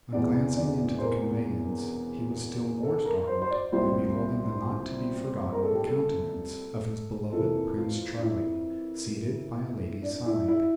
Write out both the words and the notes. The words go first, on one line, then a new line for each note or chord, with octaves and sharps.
On glancing into the conveyance he was still more startled by beholding the not-to-be-forgotten countenance of his beloved "Prince Charlie," seated by a lady's side.
E1 E2 C3 D5
D5
C5
A#4
A4
A#4
C5
C5
D5
C2 A#2 G3 C5
A#4
A4
G4
A4
F2 E3 A#3 A4
F4
D4
E4
D4
E4
E4